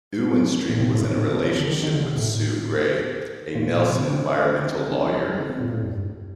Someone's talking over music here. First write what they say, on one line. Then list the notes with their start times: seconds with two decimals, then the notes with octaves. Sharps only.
Ewen-Street was in a relationship with Sue Grey, a Nelson environmental lawyer.
0.69 A#2
0.80 C3
0.95 A2
1.03 A#2
1.25 C3
1.36 D3
1.61 D3
1.71 D#3
1.83 D#3
1.94 D3
2.05 C3
2.17 A2
3.55 A#2
3.66 A2
3.77 A#2
3.88 C3
4.01 D3
4.46 D3
4.91 D3
5.04 F2
5.26 G2
5.38 D3
5.49 C3
5.61 A#2
5.73 A2
5.84 G2